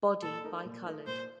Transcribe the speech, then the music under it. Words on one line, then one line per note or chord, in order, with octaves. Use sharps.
Body bicolored.
A#2 A4
A3 D#4 A#4
A#2
A3 D#4 A#4
A#2 C5